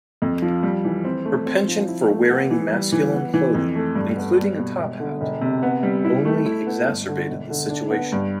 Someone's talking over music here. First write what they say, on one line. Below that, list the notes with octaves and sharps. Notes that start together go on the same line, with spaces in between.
Her penchant for wearing masculine clothing, including a top hat, only exacerbated the situation.
F2
F3
G3
E3
C4
A3
C4
F3
E4
A3
B3
E3
G3
E3
B3
E3
F2
A3
G2
B3
G3
B2
E1
D3
E1
C3
B3
G3
E4
A3
E4
B3
G1
D3
E1
D3
D4
B3
G2